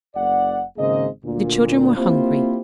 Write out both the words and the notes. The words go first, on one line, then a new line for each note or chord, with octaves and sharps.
The children were hungry.
F#1 D5 F#5
G#1 C#3 A#3 G#4 C5 D#5
D2 A#2
A#3 C4 E4 F4 G4 C5